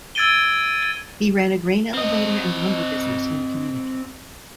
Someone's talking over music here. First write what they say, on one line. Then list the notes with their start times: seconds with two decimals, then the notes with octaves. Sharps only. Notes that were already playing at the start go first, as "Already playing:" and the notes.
He ran a grain elevator and lumber business in the community.
0.15 E6 G#6 A6 D7 D#7 G7
1.94 C4 D#5